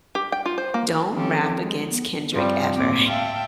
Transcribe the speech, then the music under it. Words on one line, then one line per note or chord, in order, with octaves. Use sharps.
Don't Rap Against Kendrick Ever.
G4
G5
F4
C5
A#3
D#3 F3 C4 C#4 G4 A4
G#3
B3
G2 C3 F3 G3
D2 A2 A#3 C4 D6
E5 F5 G5 A5